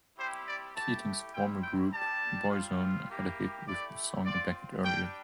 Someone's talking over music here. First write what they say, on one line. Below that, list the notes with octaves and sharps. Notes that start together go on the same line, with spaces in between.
Keating's former group, Boyzone, had a hit with the song a decade earlier.
G3 C4 E4 G4 C5
D5
A3 E4 G4 A5
G3 C4 E4 G5
G5
G3 D4 G4 A5
G3 C4 F4
A#3 E4 G4
A3 E4 G4 D5
C4 F4 D5
G3 D4 G4 G5